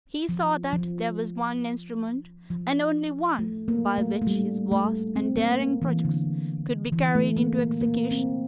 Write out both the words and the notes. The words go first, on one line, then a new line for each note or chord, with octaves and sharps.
He saw that there was one instrument, and only one, by which his vast and daring projects could be carried into execution.
F3
F3
F3
A3
A#3
A3
A3
G3
A3
C4
A#3
E3
D3
E3
A3
A#3
A#3
A#3
C4